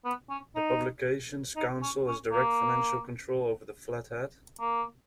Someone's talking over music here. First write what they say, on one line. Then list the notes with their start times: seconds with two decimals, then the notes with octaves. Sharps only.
The Publications Council has direct financial control over the "Flat Hat".
0.05 B3
0.30 C#4
0.55 D#4
1.56 D#4
1.82 C#4
2.07 C#4
2.32 A#3
4.60 A#3